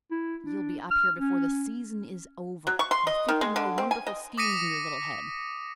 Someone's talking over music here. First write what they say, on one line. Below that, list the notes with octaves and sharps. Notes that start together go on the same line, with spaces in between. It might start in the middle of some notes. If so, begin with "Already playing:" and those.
You'll be up here before the season is over, with fifty more wonderful schemes in your little head.
E4
D4
F6
C#4
F#3
C#6
C6
D#5
D#3
G#3
D3
C4
G#5
D#5
D6 D#6 A#6 B6 C#7 D#7